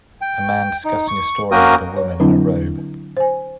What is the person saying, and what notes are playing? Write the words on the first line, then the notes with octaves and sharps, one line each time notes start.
A man discussing a story with a woman in a robe.
G5
D#4
C#6
A#3 C#4 F#4 A#4 G5 D#6
C#5
D3 F#3 C4 D4 E4
C5 G#5